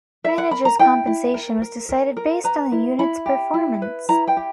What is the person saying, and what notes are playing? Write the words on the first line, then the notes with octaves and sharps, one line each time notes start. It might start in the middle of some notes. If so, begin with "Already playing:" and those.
Managers' compensation was decided based on the units' performance.
A#4 E5
F#5
A#4 B5
A#5
E4 G5
E4
A#4
A#4
A#4
A#4
B4 A#5
E4
E4 B5
G4
E4
B4
E4 A#5
G5
G4